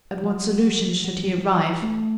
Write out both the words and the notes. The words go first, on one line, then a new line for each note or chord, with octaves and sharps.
At what solution should he arrive?
F#3
F#3
G3
A3